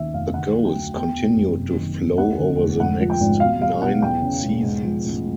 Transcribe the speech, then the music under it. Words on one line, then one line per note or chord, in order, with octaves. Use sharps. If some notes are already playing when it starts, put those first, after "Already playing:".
The goals continued to flow over the next nine seasons.
Already playing: D#2 D#3 E5
F1 F5
D3 F#5
F#3
G5
D2
E2 G5
B2
F#1
C3
D#3
E2
D#2 F#5
D3
F1
G#2 F#5
F3
G5
G#1
B2 F5
G3 F5
B1 F#5
E2 G5
C#3
E1
G#2
F3
A1